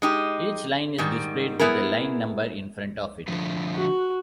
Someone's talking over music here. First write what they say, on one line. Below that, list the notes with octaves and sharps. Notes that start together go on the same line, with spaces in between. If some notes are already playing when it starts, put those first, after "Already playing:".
Each line is displayed with a line number in front of it.
G#3 D#4 G4
G#2 D#3 G3
B3 E4 G#4 A#4
D3 F3 A3
F#4